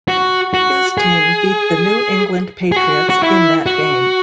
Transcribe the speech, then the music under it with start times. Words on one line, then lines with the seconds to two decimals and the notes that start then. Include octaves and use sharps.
His team beat the New England Patriots in that game.
0.08 F#4
0.54 F#4
0.98 G#4
2.72 G#4
2.76 F#4
3.10 F#4
3.22 E4
3.66 F#4